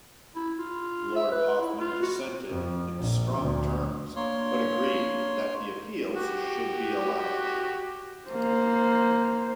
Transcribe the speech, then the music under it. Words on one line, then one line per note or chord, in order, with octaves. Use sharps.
Lord Hoffmann dissented in strong terms, but agreed that the appeals should be allowed.
E4
F4
E5
B4
E4
F4
F#4
F2
A#1
D2
A#3 D4 F4 C#5 C6
F#4 G4
A#3 C5